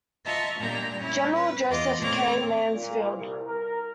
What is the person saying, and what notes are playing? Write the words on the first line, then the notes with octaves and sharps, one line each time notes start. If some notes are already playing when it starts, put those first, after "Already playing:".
General Joseph K. Mansfield.
F4 D#5 E5 A5 A#5 C#6
A#2 G3 A#3 D4 A#5 G6
C#4 E4
B4
E2 F4 D#5 D6
A#2 A3 C4 C#5 A#5 D6
A#2
C2
A#4